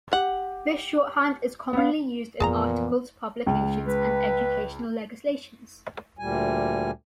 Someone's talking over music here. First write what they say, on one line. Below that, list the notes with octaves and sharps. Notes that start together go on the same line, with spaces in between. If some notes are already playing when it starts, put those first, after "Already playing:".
This shorthand is commonly used in articles, publications and educational legislations.
G4 F#5
B3 F5
F2 A#2 E3 B3 G#4 A5 A#5
C#2
B4
D2 A#2 G3 G#5